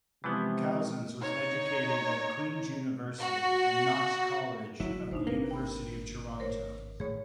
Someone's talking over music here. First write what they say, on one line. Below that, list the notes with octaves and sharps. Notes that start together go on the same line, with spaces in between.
Cousens was educated at Queen's University and Knox College at the University of Toronto.
C3 E3 F3 G#3 B3 E4
D#4 C#5
F#4
G1 F#3 E4
G1 D2 D4 D#4 C5
G#1 G2 C3 A#3 B4
G5 B5
A#4 C5 C#5
A2 D#3 A3 G#4 C#5